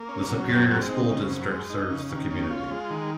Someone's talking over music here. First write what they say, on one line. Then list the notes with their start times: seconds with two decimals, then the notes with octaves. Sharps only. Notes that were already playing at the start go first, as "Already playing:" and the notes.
The Superior School District serves the community.
Already playing: A#3
0.09 C#4
0.30 F#3
0.49 F#2 C4
0.70 G#3
0.89 D#4
1.09 C#3
1.30 F#2
1.50 G#3
1.70 D#4
1.91 C#3
2.10 D#3
2.31 C#4
2.51 F4
2.71 G#3
2.90 D#3